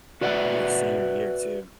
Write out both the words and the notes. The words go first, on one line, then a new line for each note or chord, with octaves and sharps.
Your senior year too.
F#4 B4 D5 E5 F#5